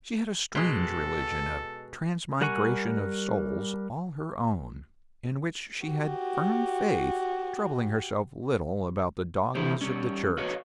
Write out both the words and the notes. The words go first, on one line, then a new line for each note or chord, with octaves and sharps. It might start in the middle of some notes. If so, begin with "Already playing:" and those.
She had a strange religion of transmigration of souls all her own, in which she had firm faith, troubling herself little about the dogmas of the Church.
B2 G#3 A4
G3 A#4 F#5 G#5 C#6
F#4 G4
D3 E3 E4 G4 C5
G3 C#4
F#4 B4 C#5 D#5 F5